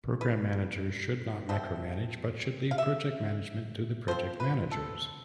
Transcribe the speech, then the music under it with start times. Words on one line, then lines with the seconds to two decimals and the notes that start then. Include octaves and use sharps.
Program managers should not micromanage, but should leave project management to the project managers.
0.21 B4
1.49 B2 A3 C4
2.71 F5
2.78 E5
4.08 F3 C4 C5
4.40 B4
4.71 A4